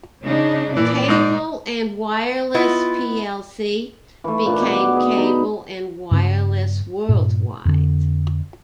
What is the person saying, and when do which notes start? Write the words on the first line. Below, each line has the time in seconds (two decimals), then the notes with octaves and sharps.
Cable and Wireless plc became Cable and Wireless Worldwide.
0.24 C#3 D4 D#4
0.77 A#2 E3 D5
1.08 G#2 D#4
2.54 B3 E4 F4 D#5
4.24 E3 A3
4.46 A#2 D4
4.60 B2 D6
4.75 F#5
4.93 G#4 B4
5.17 D#4 A4 B4
6.11 G2 C#3 C#4
7.09 G2 A#2
7.65 F2 D3